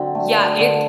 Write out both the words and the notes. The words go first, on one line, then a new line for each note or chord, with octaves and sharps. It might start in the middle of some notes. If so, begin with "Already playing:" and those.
Yeah, it
Already playing: D3 F#3 C4
A3
A3
D3